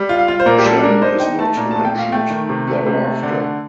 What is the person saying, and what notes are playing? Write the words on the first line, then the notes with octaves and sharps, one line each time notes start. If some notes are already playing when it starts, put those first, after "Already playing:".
Chen is not mentioned thereafter.
Already playing: G3
F4
F5
F4
C5
A#2 A#4
G4
G3 A4
D4 A#4
D#4 C5
D#4 G5
A3 A5
A#2 A#5
A3 A5
G5
A#2 F5
A3 G5
D#3
C3
A3
C3
A3
D3
D3